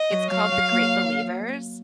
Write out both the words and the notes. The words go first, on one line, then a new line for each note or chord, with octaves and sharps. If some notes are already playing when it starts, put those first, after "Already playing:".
it's called The Great Believers
Already playing: D#5
F#3
F#3 F5
F#3
A#3